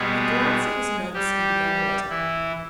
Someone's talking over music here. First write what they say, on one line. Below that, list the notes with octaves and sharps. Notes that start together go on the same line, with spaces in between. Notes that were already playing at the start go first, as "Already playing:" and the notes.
He glanced at his notes and began a letter.
Already playing: B2 G3 G#3 B3 G#4
G3 G4
E3 E4